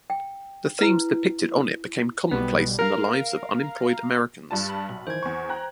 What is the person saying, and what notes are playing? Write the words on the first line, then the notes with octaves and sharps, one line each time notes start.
The themes depicted on it became commonplace in the lives of unemployed Americans.
G5
E4 B4
B1 B2 G3 B3
A#4 F5 A#5
G2 G3 A5
B5
B1
D#3 E3 C5 G#6
E2 C#6
G5 A#5 F#6